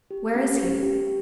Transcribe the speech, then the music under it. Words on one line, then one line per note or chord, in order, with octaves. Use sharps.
"Where is he?"
G4
C#4
G4
G4